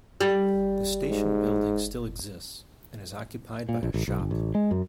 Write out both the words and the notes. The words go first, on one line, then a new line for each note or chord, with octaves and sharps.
The station building still exists, and is occupied by a shop.
G3
G#2
A#2
A#1
A1
B1
G1
A1
G#3
F#2